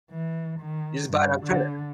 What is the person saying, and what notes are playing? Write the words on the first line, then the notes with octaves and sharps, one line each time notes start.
You just buy it on credit,
E3
D#3
G2
D3